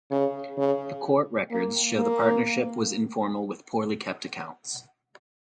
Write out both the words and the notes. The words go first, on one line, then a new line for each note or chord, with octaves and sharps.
The court records show the partnership was informal with poorly kept accounts.
C#3
C#3
A#3
A#3